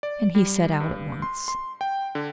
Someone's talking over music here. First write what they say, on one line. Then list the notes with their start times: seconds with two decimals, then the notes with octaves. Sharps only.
And he set out at once.
0.03 D5
0.35 G3
0.80 G2
1.22 C6
1.48 C6
1.81 G5
2.15 D3